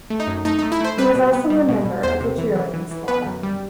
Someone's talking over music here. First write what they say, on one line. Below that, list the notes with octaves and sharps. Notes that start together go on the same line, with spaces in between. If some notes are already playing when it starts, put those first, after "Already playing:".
He was also a member of the cheerleading squad.
A3
D#4
F#2
A3 D#4
A3 D#4
E4
A3 C5
G3 B4
B2
B3
G3
B2
B2
E2 C5
C3
E3
E3
E3
E3
B3 B4
F#2
G3